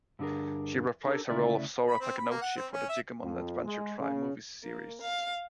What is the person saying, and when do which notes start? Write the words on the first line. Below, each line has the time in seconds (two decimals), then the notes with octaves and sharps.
She reprised her role of Sora Takenouchi for the "Digimon Adventure tri" movie series.
0.19 G2 D3 D4 G#4 A#4
1.06 D4 G4 A4 A#4
1.30 D2 C#3 A3 E4 D5
1.88 B5
2.01 C4
2.18 B5
2.30 A#3
2.41 F#5
2.57 C4
2.73 C#4
2.89 E5
3.24 F2
3.66 G#3
4.01 C#3
4.64 A#3
5.02 F5